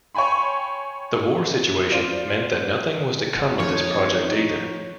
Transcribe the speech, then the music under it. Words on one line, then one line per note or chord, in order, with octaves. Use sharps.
The war situation meant that nothing was to come of this project either.
C#5 G5 G#5 B5 C6
F4 C5 D5
D#3 F3 G#3 C4 D#4 C#5